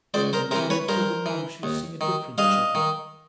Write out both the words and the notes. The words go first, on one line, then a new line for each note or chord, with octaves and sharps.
When you've lived with the monks you'll sing a different tune.
C#2 C5 D5
A#4 C5
C3 E3 A#4 C5
B4 C#5
G2 A#4 C5
E3
D#2
D#3
G2 D#5 F5
D#3